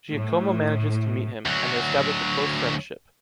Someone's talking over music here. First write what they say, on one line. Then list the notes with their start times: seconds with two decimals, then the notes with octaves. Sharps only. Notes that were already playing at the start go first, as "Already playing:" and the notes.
Giacomo manages to meet him, and they establish a close friendship.
0.12 A2
1.46 D2 F#3